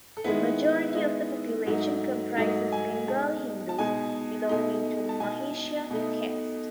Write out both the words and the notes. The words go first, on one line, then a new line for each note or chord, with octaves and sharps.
The majority of the population comprises Bengali Hindus belonging to Mahishya caste.
A4
D#3 G#3 B3 E4 B4
E5
D#3 G#3 B3 E4 D#5
G#2 F#3 A3 D#4
G#2 F#3 A3 D#4
G#5
B2 G#3 D#4 A5
A5
B2 G#3 D#4 G#5
B2 A3 D#4
A5
B2 A3 D#4 G#5
B2 A3 D#4